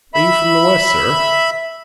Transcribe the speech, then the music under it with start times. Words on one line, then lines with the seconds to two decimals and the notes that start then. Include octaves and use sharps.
Are you from the west, sir?
0.14 E5 B5